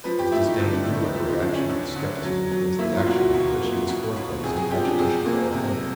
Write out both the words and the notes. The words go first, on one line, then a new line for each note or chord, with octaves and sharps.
His disdain grew like a reaction of his scepticism against the action into which he was forced by his infatuation for Antonia.
F3 B4
G4
A3 E4
D#4
D3 D4
D4
D3 D4
D#4
F3 E4
D#4
D3 D4
C#4
D3 D4
D3
F#3
F#3
A#3 E4
F4
B2
F#4
B2
A#3
B2
B2
C3 G#4
G#4
F3 G4
D4
C3 G#4
A#3
C3